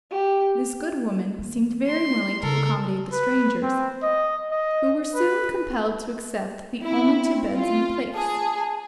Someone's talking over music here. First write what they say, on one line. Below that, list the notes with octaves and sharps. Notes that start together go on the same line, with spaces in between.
This good woman seemed very willing to accommodate the strangers, who were soon compelled to accept the only two beds in the place.
G4
E3 A#3
C6
C#3 A4 A#4
B4
C4
D#5
D#5
B4
C4 E4
F4
G#4 A5